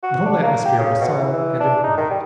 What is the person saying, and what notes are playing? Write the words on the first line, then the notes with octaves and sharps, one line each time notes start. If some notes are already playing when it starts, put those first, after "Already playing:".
The whole atmosphere was solemn and important.
F#4
D4
A#3
G4
C#3
B2
E3
E3
D4
D#4
D#3
G3